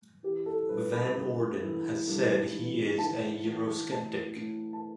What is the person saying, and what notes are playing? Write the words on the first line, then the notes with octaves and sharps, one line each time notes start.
Van Orden has said he is a eurosceptic.
E3 G4
A4
G2 B4
B5
G2
E3
G2
E3
E3 A5
E3
A2 A5
A2
A5